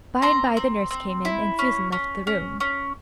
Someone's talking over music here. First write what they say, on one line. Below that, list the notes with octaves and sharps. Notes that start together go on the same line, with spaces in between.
By and by the nurse came in, and Susan left the room.
C4 A#5 C6
C4
C4
E4
C#4
C#4
C#4
C#4